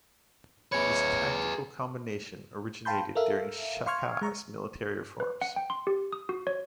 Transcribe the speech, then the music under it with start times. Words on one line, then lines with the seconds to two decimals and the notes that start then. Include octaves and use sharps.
This tactical combination originated during Shaka's military reforms.
0.72 G#4 B4 C#5
2.85 F5 G5 A5 B5 C6 G6
3.15 A4 A#4 E5 F5
3.86 F5 C6 C#6 F6 G#6
4.22 G#3 A#5 C#6
5.20 B4
5.42 F#5
5.56 G5
5.70 C6
5.87 G4
6.12 D#6
6.29 F#4
6.47 C#5